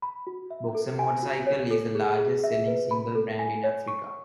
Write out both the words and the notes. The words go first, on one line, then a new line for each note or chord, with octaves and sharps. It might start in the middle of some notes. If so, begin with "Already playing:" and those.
Boxer motorcycle is the largest selling single brand in Africa.
B5
F#4
E5
A4
G#5
F#4
C#5
A4
G#4
G#4
E5
B4
B5
A4
G#5
C#5
C#6